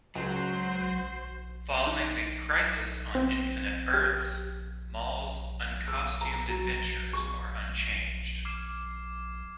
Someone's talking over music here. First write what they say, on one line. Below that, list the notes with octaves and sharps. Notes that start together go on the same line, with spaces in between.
Following the "Crisis on Infinite Earths", Mal's uncostumed adventures are unchanged.
C#2 F#3 F#4 C5
D#4
C4
G4
E6
A#5
F#3
C#6
D6 F6 G#6 C7 E7